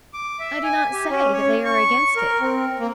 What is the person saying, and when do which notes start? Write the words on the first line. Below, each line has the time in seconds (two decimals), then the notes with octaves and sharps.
I do not say that they are against it.
0.13 D6
0.40 E5
0.63 G#5
0.92 G4
1.10 C#4
1.33 C#5
1.64 C#6
2.16 A#4
2.40 C4
2.79 A#3